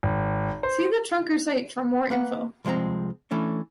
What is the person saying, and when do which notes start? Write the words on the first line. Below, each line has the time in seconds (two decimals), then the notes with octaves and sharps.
See the Trunker Site for more info.
0.03 G#1
0.63 C5
2.10 A#3 B4 F#5
2.65 C2 F3 G#3 C4 A#5
3.31 E3 A3 C#4 D4